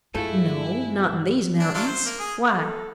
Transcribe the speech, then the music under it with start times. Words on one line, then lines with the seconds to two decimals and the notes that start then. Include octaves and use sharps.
"No--not in THESE mountains--why?"
0.15 G2 G#3 A3 E4 F4 G#4 A4
1.60 D4
1.74 F#3 D4 F4
1.87 C5
2.05 A#3
2.20 G#4
2.58 A4